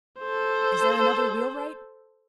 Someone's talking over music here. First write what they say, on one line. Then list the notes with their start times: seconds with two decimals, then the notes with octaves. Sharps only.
"Is there another wheelwright?"
0.20 A4 C5